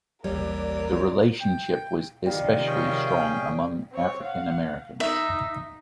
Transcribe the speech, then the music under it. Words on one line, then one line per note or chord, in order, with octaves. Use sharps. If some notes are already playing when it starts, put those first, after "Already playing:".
The relationship was especially strong among African-Americans.
A1 D#2 G3 A#4 C#5 D5
G5
C3 D#3 F3 G3 F5
C#4 G#4 G5
C4 C#5
F5 F#5
D#4 E5